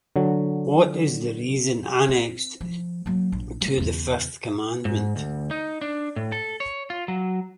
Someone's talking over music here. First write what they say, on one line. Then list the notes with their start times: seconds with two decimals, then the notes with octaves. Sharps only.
What is the reason annexed to the fifth commandment?
0.16 D3 F#3
2.08 C4
2.61 F3
3.06 F#3 A#3
3.32 A#1
3.61 G3 A#3
3.78 E2 C#3
4.85 G#2
5.16 D2
5.51 D#4
5.81 D4
6.16 A2
6.32 A4
6.60 C#5
6.90 F4
7.08 F#3